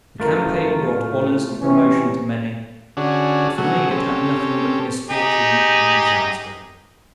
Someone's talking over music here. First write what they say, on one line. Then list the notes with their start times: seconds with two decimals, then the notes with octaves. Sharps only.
The campaign brought honours and promotion to many, but for me it had nothing but misfortune and disaster.
0.20 F#2 E3 A3 F4 A#4
0.94 A2
1.60 C3 E3 C#4
2.97 D3 C#4 D4 F#4 G#4
3.58 B2 F#3 A3 F#4 G#4
3.91 C4 C#4 G4 A4
5.09 D#4 G4 G#4